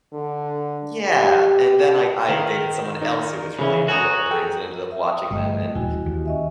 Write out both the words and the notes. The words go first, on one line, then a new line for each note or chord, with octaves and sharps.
yeah. And then I I dated someone else who was really into Lord of the Rings and ended up watching them and
D3
G4
D#3 B4 F5
D#4 A#4 D5
C#3 E3
D#4 F#4 A4 C#5 G#5
G#4 A4 G5
E5
D#6
G1 A3 D#5 G5
D#1 E4 F#4 G#5
D#2
C#4 D#5 E5